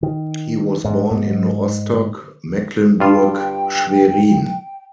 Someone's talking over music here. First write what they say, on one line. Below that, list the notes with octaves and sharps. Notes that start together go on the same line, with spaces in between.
He was born in Rostock, Mecklenburg-Schwerin.
D#3
G#2
G#2
G2 F4 G5